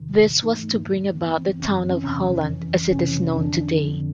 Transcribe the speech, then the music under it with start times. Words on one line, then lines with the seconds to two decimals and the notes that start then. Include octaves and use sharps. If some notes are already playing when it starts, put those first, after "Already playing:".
This was to bring about the town of Holland as it is known today.
Already playing: E2 C3 D#3
0.28 G#2 E3
0.43 D#4
0.57 A3
0.71 F2 D3 A#3
1.15 G2 E3 B3
1.38 C4
1.59 F#2 C#3 E3 C#4
1.75 C4
1.90 C#4
2.04 E2 C3 E3 C#4
2.49 F2 C#3 E3
2.92 F2 C3 E3 C#4
3.36 F2 D3 D4
3.80 F2 D3